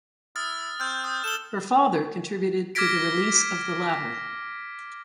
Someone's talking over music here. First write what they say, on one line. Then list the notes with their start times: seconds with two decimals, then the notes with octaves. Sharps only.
Her father contributed to the release of the latter.
0.36 E4 D#6 F6 A6
0.80 C4 F6 G6
1.04 D#6
1.24 A4 E7 G7
2.75 D6 F6 G#6 A#6 B6 D7